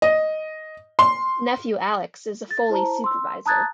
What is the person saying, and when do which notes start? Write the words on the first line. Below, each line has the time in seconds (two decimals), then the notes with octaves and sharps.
Nephew Alex is a foley supervisor.
0.02 D#5
0.99 C6
2.51 A6
2.70 E4 C5 A5 A#5
3.04 C6 E6
3.46 A5 A#5 D#6 F#6 G#6 A6